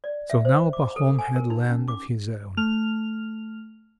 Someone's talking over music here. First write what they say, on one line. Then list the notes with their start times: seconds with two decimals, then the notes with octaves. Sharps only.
So now Pahom had land of his own.
0.04 D5
0.30 E5
0.45 C5
0.73 D6
0.96 A4
1.19 G#5
1.36 A#4
1.50 D#4
1.69 C#4
1.88 D6
2.57 A3 F6 F7